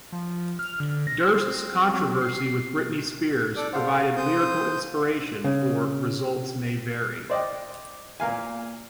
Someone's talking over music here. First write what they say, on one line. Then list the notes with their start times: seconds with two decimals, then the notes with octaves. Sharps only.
Durst's controversy with Britney Spears provided lyrical inspiration for "Results May Vary".
0.12 F3
0.59 F6
0.80 D3
1.07 A#6
1.20 C5
1.48 C4
1.94 F#3
2.21 C7
3.57 A4 D5 D6
3.73 A4 C5 F5 F#5
4.17 C5 D#6 G6
5.44 C#3
7.30 C5 D5 D#5 G5
8.20 A#2 A#3 F5 G#5